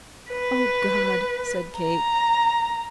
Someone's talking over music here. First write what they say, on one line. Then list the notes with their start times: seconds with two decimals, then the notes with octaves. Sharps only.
"O God!" said Kate.
0.30 B4
1.79 A#5